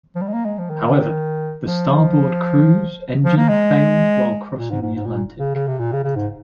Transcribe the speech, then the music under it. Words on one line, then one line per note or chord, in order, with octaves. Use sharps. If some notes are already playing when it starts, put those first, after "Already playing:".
However, the starboard cruise engine failed while crossing the Atlantic.
F3
G3
G#3
A#3
G#3
F3
D#3
F3
F3
A#3
G#3
A#2
G#2
G#2
G#2
A#2
C#3
C#3
C3
A#2
C#3
C#3
G#2